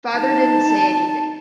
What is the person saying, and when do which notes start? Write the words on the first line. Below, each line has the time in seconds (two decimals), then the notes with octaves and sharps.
Father didn't say anything.
0.16 D#4 A5